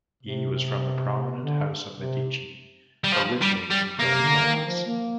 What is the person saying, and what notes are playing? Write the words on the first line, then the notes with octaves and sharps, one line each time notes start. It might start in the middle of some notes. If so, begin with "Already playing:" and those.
He was from the prominent House of Medici originating from Florence.
C3
C3
D3
C3
G3
F3
G3
G3
C3 A#3
D3
D#3
F3
A#3